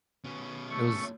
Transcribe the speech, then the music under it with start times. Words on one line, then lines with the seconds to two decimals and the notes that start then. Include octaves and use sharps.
it was
0.24 B2 C#4
0.70 A3 C#6